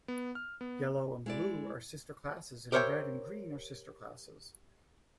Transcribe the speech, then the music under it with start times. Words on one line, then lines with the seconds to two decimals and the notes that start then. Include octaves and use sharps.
Yellow and Blue are Sister Classes and Red and Green are Sister Classes.
0.08 B3
0.35 F6
0.61 B3
1.26 G#3 E4 D5
2.72 G4 A#4 C5 C#5 E5 G5